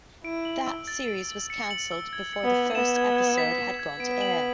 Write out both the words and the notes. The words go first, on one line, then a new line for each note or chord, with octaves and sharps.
That series was cancelled before the first episode had gone to air.
E4 D7
F#7
E6
A6
D7
F#7
C#7
F#7
E6
G#6
C#7
B3
F#7
B3 E7
G#6
G#6
B6
E7
G#6
B3 D7
F#7